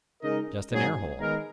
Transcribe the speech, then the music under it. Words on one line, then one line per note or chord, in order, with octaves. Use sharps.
Just an air-hole.
C#3 G#3 D#4 A#4 D#5
G#2 F#3 A#3 C#4 G#4
D#3 G#3 B3 D#4 A#4